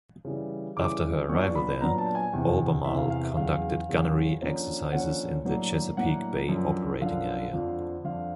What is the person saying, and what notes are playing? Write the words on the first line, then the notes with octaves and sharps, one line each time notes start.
After her arrival there, "Albemarle" conducted gunnery exercises in the Chesapeake Bay operating area.
C#3 E3 G3
C#3 E3 G3 D6
A#2 F#3 B3 D4 C#6
B5
A#2 F#3 B3 D4 A#5
A5
G#5
E2 C3 E3 G5
E2 C3 E3 E5
F5
F5
E5
E2 C#3 F#3 F5
E2 C#3 F#3
D3 F3 A#3 C#4
D3 F3 A#3 C#4 F#5
A2 F#3 A#3 D4
A2 F#3 A#3 D4 F#5
F#2 D3 F3
F#2 D3 F3 F5
F2 D3 F3
F2 D3 F3 F5